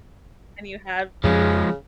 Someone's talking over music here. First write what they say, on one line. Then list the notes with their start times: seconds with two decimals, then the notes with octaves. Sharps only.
And you have
1.24 F2 C#3 F3 G#3 C#4